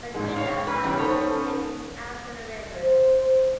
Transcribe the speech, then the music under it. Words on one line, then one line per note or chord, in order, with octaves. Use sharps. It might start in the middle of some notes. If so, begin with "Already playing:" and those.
The Gwydir Highway was named after the river.
A1 G#2 G#3
C#5 F5
B4
E3 G3 C#4
D#3 B3 A4 C5 C#5
C5